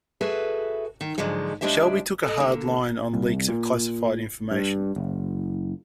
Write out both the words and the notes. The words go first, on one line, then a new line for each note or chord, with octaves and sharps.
Shelby took a hard line on leaks of classified information.
F#4 G#4 A4 B4 E5
D#3
G#2 D3 F3 F#3 G#3
C#3 G#3 D4 G4 C5 E5
A4 D#5
D3 A#3
C2
A#2
G2
F#1